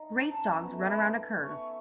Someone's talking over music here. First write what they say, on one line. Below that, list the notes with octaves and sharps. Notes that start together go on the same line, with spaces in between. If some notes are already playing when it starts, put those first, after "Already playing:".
Race dogs run around a curve.
Already playing: D#4
C#4 A5
C#4
B3
A3
A3 B5
C#6